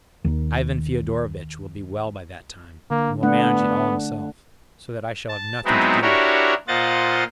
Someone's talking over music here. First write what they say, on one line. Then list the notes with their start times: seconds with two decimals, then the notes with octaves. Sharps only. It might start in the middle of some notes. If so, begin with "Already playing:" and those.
Ivan Fyodorovitch will be well by that time and will manage it all himself, so that I shall have nothing to do with it.
0.24 D#2 D#3
2.90 D3 A#3
3.23 A3 B3 D4 F#5
5.29 A5
5.65 F#3 G#3 B3 C4 D#4 E4
6.02 D4 E4 F#4 G4 A#4 C#5
6.68 A#2 F4 C5 D#5 F#5 A6